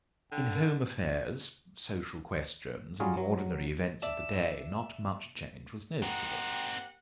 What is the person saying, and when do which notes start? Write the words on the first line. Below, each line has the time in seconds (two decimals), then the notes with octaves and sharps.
In home affairs, social questions, and the ordinary events of the day not much change was noticeable.
0.32 D3 G5
0.54 A#4
3.00 F#3 G3 C#4 F4 G#4
3.17 F#3
4.02 D5 E5 A5
6.02 A#3 C4 D#4 G4 F#5